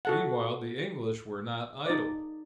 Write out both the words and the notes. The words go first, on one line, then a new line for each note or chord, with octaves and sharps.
Meanwhile, the English were not idle.
F#4 A4 F#5
D#4 D5